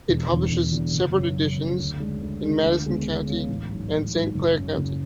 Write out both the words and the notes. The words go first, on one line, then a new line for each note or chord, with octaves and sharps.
It publishes separate editions in Madison County and Saint Clair County.
E1
E2 D3
E1
E2 D3
F#1
F#2 C#3 F#3
F#1
F#2 C#3 F#3
D2
C#3 G#3 D4
D2
C#3 G#3 D4
D2
C#3 G#3 B3
D2
C#3 G#3 B3
A1
G#2 F#3
A1
G#2 F#3
F#1
F#2 C#3 F#3 C#4
F#1